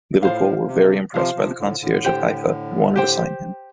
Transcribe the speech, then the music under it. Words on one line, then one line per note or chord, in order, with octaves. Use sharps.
Liverpool were very impressed by the concierge of Haifa and wanted to sign him.
A2 F4 C5 F5
C3
C3 F3 F4 C5 F5
C3 F3
A2 D3
A2 D3
G4 C5 G5
G4 C5 G5